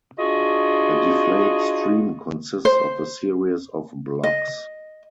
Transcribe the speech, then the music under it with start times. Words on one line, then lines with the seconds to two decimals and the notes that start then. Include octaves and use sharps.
A Deflate stream consists of a series of blocks.
0.19 D4 F4 F#4 G#4 D#5
2.65 C5
4.23 D#5